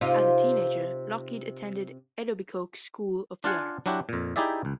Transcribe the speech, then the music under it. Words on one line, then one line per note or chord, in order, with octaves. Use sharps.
As a teenager, Lougheed attended Etobicoke School of the Arts.
C3 D#4 F4
D4 F4 D5 F5 F#5 G#5
F#3 D4 E4 F#4 G4
F2 A#2
D#4 E4 G4 G#4 D5 E5
C#2